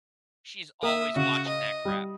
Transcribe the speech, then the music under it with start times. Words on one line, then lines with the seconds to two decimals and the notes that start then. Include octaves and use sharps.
she's always watching that crap.
0.83 A#3 E5 D#6
1.16 C#3 F#4
1.48 D#5
1.85 G3 D#6